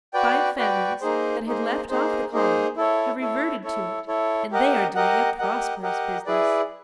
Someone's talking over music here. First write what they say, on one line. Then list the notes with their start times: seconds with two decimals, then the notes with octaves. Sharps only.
Five families that had left off the calling have reverted to it and they are doing a prosperous business.
0.14 F#4 B4 D5 G5
0.58 F#4 B4 D5 G5
1.01 A#3 D#4 G#4 C5
1.46 A#3 D#4 G#4 C5
1.89 A#3 D#4 G#4 C5
2.32 A#3 D#4 G#4 C5
2.77 E4 A4 C#5
3.20 E4 A4 C#5
3.64 E4 A4 C#5
4.08 E4 A4 C#5
4.52 G4 A#4 D#5 F#5
4.95 G4 A#4 D#5 F#5
5.39 G4 A#4 D#5 F#5
5.82 G4 A#4 D#5 F#5
6.26 E4 G#4 B4 D5